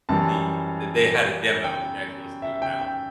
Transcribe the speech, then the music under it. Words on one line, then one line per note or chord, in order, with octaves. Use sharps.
the that they had a demo. You can actually listen to it now.
F#2 E3 G3 A5
G5
E5
G5
G5